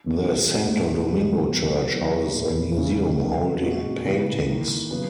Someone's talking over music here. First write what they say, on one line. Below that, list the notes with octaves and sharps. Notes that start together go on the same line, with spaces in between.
The Santo Domingo church houses a museum holding paintings.
B2 G#3 D#4 F#4
A#2 G#3 D#4 F#4
C#3 G#3 D#4 F#4
B2 F#3 B3
F#3 B3 E4
A#2 A#3 E4
C#3 G#3 C#4 E4
F#3 B3 D#4
A#2 G#3 D#4 F#4
C#3 E3 B3
D#3 A#3 E4
C#3 F#3 B3